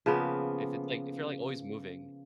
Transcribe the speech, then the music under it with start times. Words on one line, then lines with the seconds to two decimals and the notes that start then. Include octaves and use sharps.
If it's, like if you're, like, always moving.
0.06 C#3 F3 A#3 B3